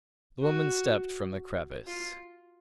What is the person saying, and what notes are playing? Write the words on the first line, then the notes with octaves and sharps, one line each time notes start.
The woman stepped from the crevice.
F#4
F4